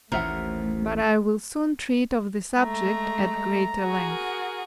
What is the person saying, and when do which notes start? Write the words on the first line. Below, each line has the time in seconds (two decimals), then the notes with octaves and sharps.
But I will soon treat of the subject at greater length.
0.12 A1 D#2 A2 A3 A#4 C5 E5 F#5
2.55 G#3 A3 A#5
3.80 F#4 G#4
4.10 A#4